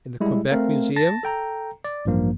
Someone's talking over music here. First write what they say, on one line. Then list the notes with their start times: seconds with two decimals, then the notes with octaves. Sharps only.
"In the Quebec Museum?"
0.20 G3 G#3 E4
0.50 A3 C4 A#4 F5
0.96 A5 A6 A#6
1.23 A4 G5 A#5
1.84 D5
2.05 A1 G2 F3 A#3